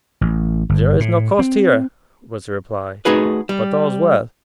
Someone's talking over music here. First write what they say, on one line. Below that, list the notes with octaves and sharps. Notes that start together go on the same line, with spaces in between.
"There is no coast here," was the reply, "but all's well."
A1
G1
A2
C4
A3 D#4 F#4 G#4 B4
G3